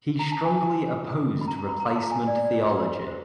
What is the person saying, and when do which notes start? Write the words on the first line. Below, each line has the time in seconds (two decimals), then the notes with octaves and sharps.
He strongly opposed replacement theology.
0.19 A#5
0.32 A5
0.45 G#5
0.57 A5
1.41 B5
1.48 A#5
1.59 A#5
1.69 B5
1.80 A#5
1.90 A#5
1.96 A5
2.11 G#5
2.27 D5
2.44 D5
2.65 B4
2.76 B4
3.07 C5